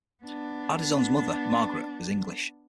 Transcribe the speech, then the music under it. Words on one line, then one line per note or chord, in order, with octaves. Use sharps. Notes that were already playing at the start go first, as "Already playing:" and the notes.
Ardizzone's mother, Margaret, was English.
B3 D4